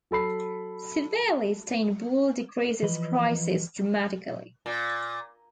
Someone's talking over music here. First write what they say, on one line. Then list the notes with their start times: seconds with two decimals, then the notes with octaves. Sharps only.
Severely stained wool decreases prices dramatically.
0.11 F#3 A4 B5 C7
2.83 E3 F3 B4 D#5
4.66 A#2